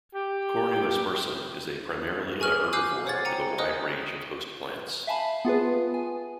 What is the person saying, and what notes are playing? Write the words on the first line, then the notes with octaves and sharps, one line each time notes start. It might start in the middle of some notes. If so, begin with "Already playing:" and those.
"Cornu aspersum" is a primarily a herbivore with a wide range of host plants.
G4
G#4 G#5 C#6 F6 F#7
G#5 D6 E6 F#6 G6 C7
C5 C#5 F#5 G#6 A6
G5 G#5 A#5 C#7
A#4 C5 D#5 D#6 F#6
E5 F5 G#5 A5 B5
B3 F4 G#4 B4
G#5